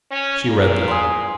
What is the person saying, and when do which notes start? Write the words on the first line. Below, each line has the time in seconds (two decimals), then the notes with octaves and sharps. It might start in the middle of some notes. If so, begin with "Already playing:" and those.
She read them.
0.11 C#4
0.47 A#2
0.88 G#4 C6